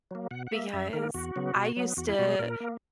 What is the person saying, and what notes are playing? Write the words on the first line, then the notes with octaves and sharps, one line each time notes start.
because I used to
F#3 A#3
B2 F#5
F#5
A#3 E5
F#2 E5
D#3 A#3 A#4
E2 F#4
C#3 F#3 B3
B2
F#3 B3
E2 F#4
E4
B2 G#3 F#4
G#4
A#2 A#4
A#3